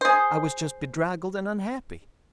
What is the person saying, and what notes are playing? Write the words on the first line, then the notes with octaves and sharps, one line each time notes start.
I was just bedraggled and unhappy.
G#4 C5